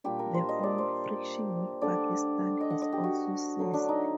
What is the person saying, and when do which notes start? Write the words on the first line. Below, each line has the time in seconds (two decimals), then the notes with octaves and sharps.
The former friction with Pakistan has also ceased.
0.04 A#2 G3 D4 G4
0.19 A#4
0.34 C5
0.49 D#5
0.63 D5
0.78 C5
1.81 D3 A3 D4 D5
2.61 D#5
2.70 F#5
2.82 D#5
2.92 G4
3.04 F#4
3.59 D3 F#3 A3
3.74 D4
3.89 D#4